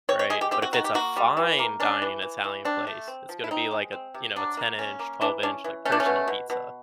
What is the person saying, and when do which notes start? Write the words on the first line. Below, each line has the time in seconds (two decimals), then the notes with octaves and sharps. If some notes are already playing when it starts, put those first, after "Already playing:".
right? But if it's a fine dining Italian place, it's gonna be like a you know, a ten-inch, twelve-inch, like, personal pizza
0.09 C4 C#5
0.19 C#5
0.30 G#3 G#4
0.41 G4
0.51 C4 G4
0.62 F#4
0.73 D#3 F#4
0.84 G4
0.94 A#3 F#4
1.16 G3
1.37 E3
1.59 A#3
1.80 C#4 D4
2.02 E3
2.22 E3
2.44 E3
2.65 C4 D4
2.87 A3
3.08 C4
3.29 F3
3.44 E4
3.51 C4 D#4
3.72 G#3
3.93 C4
4.14 C3
4.36 F#3 D4
4.57 A#3
4.79 C#4
4.99 A#3
5.21 E3 D4
5.43 C#4 D4
5.64 E3
5.85 A3 C#4
5.92 D4
6.00 C#4
6.06 B2
6.28 B2
6.50 B2